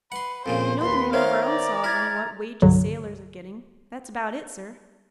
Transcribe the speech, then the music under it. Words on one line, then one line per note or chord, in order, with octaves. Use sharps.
We know the name of our own sovereign and what wages sailors are getting; that's about it, sir.
B4 F#5 C6
F2 A#2 C#3 C5
D#2 B4 C6
D#3 B3 C5 C#5 E5 F5 A#5
D5
E4 F6 G#6 A6
C2 G2 D3 F#3